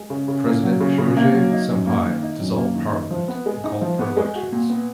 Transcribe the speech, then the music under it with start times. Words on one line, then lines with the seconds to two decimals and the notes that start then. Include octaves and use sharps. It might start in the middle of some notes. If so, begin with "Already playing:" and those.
President Jorge Sampaio dissolved Parliament and called for elections.
Already playing: G#3
0.10 C#3
0.28 C#3
0.46 A#3
0.64 F#3
0.81 C#3
0.98 C#3
1.17 A#3
1.34 F#3
1.52 D#4
1.70 F#2
1.87 A#3
2.04 D#3
2.22 D#4
2.40 F#2
2.58 A#3
2.75 D#3
2.93 D#4
3.11 F3
3.28 B3
3.46 G#3
3.64 D#4
3.82 F3
3.99 B3
4.17 G#3
4.35 F#4
4.52 A#2
4.70 B3